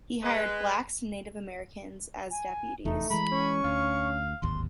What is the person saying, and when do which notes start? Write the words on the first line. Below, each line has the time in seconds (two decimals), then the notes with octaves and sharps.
He hired blacks and Native Americans as deputies.
0.23 G#3 B4
2.31 G#5
2.85 F1 E2 A3 D#4
3.11 E3 G#3 A#5 B5
3.31 C#4 C#6
3.64 D2 F5
4.42 D1 G#1 D#2 C6